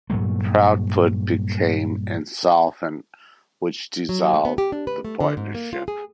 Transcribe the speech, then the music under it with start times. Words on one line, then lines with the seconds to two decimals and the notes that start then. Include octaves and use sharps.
Proudfoot became insolvent which dissolved the partnership.
0.10 G2 A#2 F#3 A3
4.09 F#3
4.34 A3
4.45 B3
4.58 G4
4.72 D4
4.87 B4
5.05 A3
5.20 D3
5.37 G#2
5.55 A#3
5.73 F4
5.88 G#4